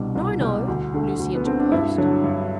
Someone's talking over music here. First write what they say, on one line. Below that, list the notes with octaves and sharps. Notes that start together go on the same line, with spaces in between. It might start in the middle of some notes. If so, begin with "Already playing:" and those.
"No, no," Lucy interposed.
Already playing: C2 B2 G3 D4
C2
B2 G3
D2
D3 A3
D2
B3
D3 A3 C4
D4
G2 E4
D3 F#3
G2